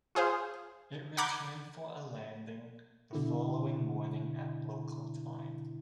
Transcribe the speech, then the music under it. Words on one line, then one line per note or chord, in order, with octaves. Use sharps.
It returned for a landing the following morning at local time.
F4 G#4 C5 F5
F#5 A#5 B5 D6 G6 G#6
B2 D3 E4